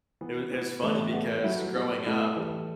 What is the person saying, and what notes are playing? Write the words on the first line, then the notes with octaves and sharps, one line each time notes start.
it was it was funny because growing up,
E3 B3
E3 B3
E3 A3
G3
A3
G3 B3
F#3 E4
G3 B3
A3 E4
E3 G3